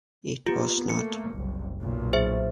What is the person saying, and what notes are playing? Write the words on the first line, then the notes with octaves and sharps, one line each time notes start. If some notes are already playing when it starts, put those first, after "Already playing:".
It was not.
A#3 B3 F4 G4
A3 A#3 C#7
F#1 C2
B1 A#2
G#4 C5 E5